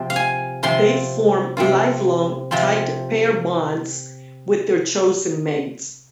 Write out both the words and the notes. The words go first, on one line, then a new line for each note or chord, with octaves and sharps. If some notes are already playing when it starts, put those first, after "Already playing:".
They form lifelong, tight pair bonds with their chosen mates.
Already playing: C3 F3 C4
F5
G#5
C3 F3 C4 F4 C6
C3 F3 C4 F4
C3 F3 C4 F4